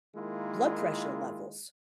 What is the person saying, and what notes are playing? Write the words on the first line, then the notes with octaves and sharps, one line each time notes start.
blood pressure levels,
D#3 G#3 A#3 E4 F4